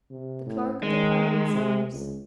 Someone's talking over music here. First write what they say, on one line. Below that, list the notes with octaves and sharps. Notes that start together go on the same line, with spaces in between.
The Clerk of the Parliaments arose.
C3
A2
D#3 G#3
C3
C#2